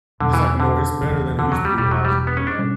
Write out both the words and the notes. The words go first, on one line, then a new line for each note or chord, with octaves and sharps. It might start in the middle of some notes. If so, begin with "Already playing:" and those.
it's, like, more it's better than it used to be when I was a kid, right,
E2 B2 D3 F#3 B3
E3
D3
E1 D2 C#3 E3
D3
F#3
G3
E1 E2 B2 G3
F#3
G3
B3
C#4
D4
B2 G3 C#4